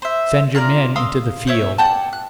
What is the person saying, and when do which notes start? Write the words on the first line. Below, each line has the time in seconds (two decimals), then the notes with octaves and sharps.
Send your men into the field.
0.02 C5 E5
0.55 F4 A4 A#4 D5
0.96 F5 C6 D#6 E6
1.47 C5 C#5 E5
1.78 D5 F#5 G5 A5
2.13 F#6